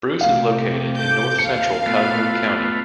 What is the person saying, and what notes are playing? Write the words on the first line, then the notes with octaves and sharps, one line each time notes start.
Bruce is located in north-central Calhoun County.
C3 A3 G4 F5
A4 D6 G6
D#2 A4 F5 C#7
B2 A3 B3 F4